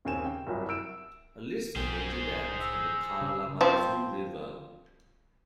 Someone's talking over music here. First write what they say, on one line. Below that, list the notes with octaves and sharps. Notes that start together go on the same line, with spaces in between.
A list of major dams on the Kalamazoo River.
D#2 C#3 C4 G#5 E7
G5
F#1 C2 F#3
E6 D7 E7
B1 G#4 C5 G5
E6
C#3
F3 C4